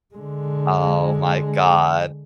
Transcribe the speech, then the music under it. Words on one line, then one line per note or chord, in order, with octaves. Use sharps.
Oh, my god.
D3 G#3